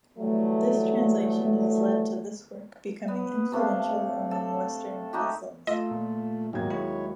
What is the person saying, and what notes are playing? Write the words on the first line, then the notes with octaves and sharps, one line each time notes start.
This translation has led to this work becoming influential among Western Muslims.
E3 F#3 G3 A3
B3
C3 A3 D4 F5
A4
A3 D#4 F#4 G4
A3 F4 D#5 E6
A#2
D#2 G#2 F#3 D#4 G#6
G#3 E4 C#5 B5